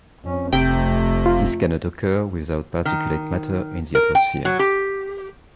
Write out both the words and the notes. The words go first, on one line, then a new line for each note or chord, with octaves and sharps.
This cannot occur without particulate matter in the atmosphere.
F2 C#4
F1 F2 C3 A3 G5
F4
D#3
A#4
G5
F#3
G4